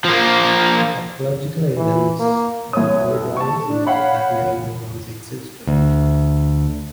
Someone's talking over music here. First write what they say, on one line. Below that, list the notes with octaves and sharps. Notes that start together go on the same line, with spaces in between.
Archaeological evidence and old drawings indicate that many more once existed.
F3 A#3
E3
A#3
C2 C#5 D#6
A4
A5 C#6
D4
C#5 F5 F#5 B5
D2